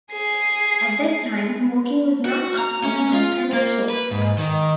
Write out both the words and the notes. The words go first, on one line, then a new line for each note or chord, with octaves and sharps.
At that time smoking was not uncommon on panel shows.
G#4 C7
F#4
A#5
C#4
F4
A#3
B4
G#2
D#3